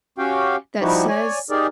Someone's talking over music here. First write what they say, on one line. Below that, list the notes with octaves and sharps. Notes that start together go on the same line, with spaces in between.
that says
C#4 F#4 G4 F5 G5
F3 G3 D#4 E4 F#4 G4
C#5 D5 G#5
D#4 G4 G#4 A#4 D5